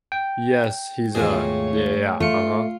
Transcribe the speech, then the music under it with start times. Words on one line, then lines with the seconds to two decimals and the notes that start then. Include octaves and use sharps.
Yes, he's, uh Yeah, yeah, yeah, uh-huh.
0.12 G5
1.15 D#2 G#2 B2 A3 F4 G#4 C#5
2.20 A3 F4 C#7